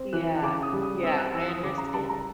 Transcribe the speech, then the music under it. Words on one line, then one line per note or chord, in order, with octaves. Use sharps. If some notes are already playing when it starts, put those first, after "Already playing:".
Yeah, yeah, I understand.
Already playing: C4
E3 F#6
C#3 D6
D#6
G3
D#6
C4 E6
F#6
E3 E6
D#6
D#6
C#3 D6
A#5
G3 A5
A#5